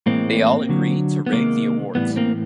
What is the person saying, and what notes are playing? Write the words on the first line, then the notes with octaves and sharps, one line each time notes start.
They all agree to rig the awards.
A2 E3 G#3 A#3 C4
D3 F#3
B3
C3 D#3 G#3 A#3
A2 E3 G3 B3
A#3 C4